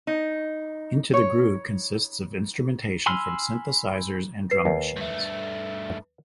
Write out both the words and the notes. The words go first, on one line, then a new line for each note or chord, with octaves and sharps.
"Into the Groove" consists of instrumentation from synthesizers and drum machines.
D#4
C#5
G#5 B5 C6 E6 F6
B4 C7
D#2
G2 A3